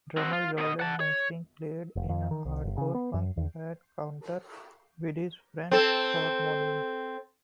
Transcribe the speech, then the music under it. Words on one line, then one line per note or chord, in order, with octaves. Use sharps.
Drummer Jordan Hastings played in a hardcore punk band Cunter with friends from Moneen.
C4 F#4
F4
B2 D#5
F#5 A5
C#5
F1
F2
D#3
C2
G1
C#3
B3
F#2
E2
C4 A4